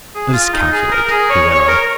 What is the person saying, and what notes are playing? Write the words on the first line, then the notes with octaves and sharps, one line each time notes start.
"Let us calculate," he went on.
G#4
F4
D#4
G#4
A#4
G#4
C#5
C#5
C#5
A#4